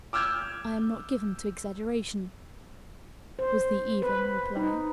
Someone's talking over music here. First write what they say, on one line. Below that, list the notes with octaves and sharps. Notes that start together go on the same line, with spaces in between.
"I am not given to exaggeration," was the even reply.
D6 E6 F6 G6 G#6
C5
B4
D#4